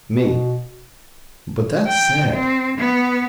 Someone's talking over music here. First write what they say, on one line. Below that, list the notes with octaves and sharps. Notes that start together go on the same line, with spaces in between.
ME: But that's sad.
B2
G5
C4
B3